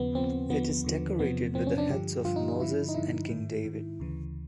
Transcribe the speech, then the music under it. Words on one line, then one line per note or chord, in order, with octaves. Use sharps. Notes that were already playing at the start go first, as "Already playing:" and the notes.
It is decorated with the heads of Moses and King David.
Already playing: D#2 C#3 F3 B3
D#2 C#3 F3 C4
D#2 D3 F3 B3
D#2 D3 F3
E2 C3 F3 B3
E2 C3 F3 C4
C#4
D4
G2 D3 F3 G4
G2 D3 F3 F4
D#4
D#4
G2 D3 F3 E4
D#4
G2 D3 F3 E4
G#2 D#3
G#2 D#3
D2 C#3 E3